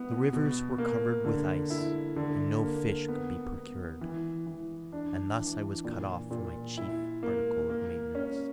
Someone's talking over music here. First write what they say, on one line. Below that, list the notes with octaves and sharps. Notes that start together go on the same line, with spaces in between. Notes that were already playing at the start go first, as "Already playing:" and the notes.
The rivers were covered with ice, and no fish could be procured; and thus I was cut off from my chief article of maintenance.
Already playing: B3 E4
B2
A#3
D3
E4
D3
A#3
B3
B3
E3
E3
D4
E3
A#2
A#2
E4
A#3
A#3
C#4